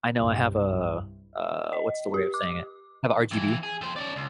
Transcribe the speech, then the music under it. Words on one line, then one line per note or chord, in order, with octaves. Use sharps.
I know I have a, uh uh, what's the way of saying it? I have RGB,
C2 G2
D#5
G4
D6
F2 E3
G#4
F2 C5
C#4 D5
C#2